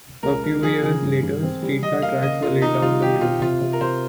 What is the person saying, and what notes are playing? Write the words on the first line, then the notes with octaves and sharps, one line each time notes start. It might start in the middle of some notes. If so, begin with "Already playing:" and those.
A few years later streetcar tracks were laid down the middle.
C#2 A#4
A#3 A#4
F3 G#4
C#3 G#4
G2
G2
C4
G3
G3 D#5
A#3 F5
C#3 D#5
A#3 F4
D#3 D#4
G3 F4
D#3 G4
C4 F4
C3 F4
C3
A#4
C3 C5